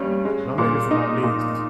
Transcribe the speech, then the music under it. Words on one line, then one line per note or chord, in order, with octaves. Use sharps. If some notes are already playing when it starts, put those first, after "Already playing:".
and I made it for my niece,
Already playing: G2 G3 C#4
G#3
A#2
D#4
A#2